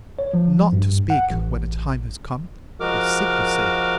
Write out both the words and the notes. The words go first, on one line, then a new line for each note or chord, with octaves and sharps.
Not to speak when the time has come is secrecy.
C#5
F3
G2
F#5
A1
F3 G#3 F#4 A#4 D6 F6